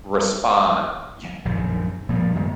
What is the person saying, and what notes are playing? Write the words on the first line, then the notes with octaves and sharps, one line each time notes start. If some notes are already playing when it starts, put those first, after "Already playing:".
respond yeah
A#1 F#2 D#3
A#2 F3 G3
F#2 D#3 G#3 B3